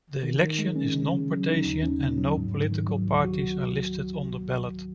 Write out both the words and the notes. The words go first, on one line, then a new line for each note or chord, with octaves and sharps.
The election is non-partisan and no political parties are listed on the ballot.
D#3
D#3
G#3
C#4
C#3
C#3
F#3
D#4
D#2
C#4
C#3
F#3
G#2
G#2
D#3
F#3
C#2
F#4